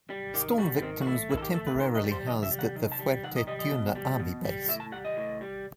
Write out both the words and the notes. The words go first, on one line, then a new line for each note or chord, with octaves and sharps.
Storm victims were temporarily housed at the Fuerte Tiuna army base.
G3
D#3 G4
G3 F#4
B3
D#3 C4
F#4
A3 E4
D#3 E4
A4
G4
A3 A4
B4
D#3 C5
D#5
G3
C5
D#3 D#5
E5
G3
F#5
D#3
A5
G3
D#3 F#5
D#5
G3 D#5
D#5
B2
G3
B2
G3
A2 E5
A5
G3 F#5
D#5
A2
G3